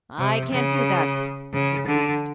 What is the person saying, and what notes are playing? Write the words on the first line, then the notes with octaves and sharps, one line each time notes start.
"I can't do that," said the beast.
C3
C#3
C#3
D3